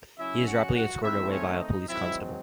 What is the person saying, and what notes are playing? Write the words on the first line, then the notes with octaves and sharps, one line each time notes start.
He is rapidly escorted away by a police constable.
C#3 F#3 C#4 E4 E5
F#4 F#5
F#4 F#5
D#3 A3 C4 E4 E5
C#4 C#5
D#4 D#5
G#2 D#3 F#3 C4 E4 E5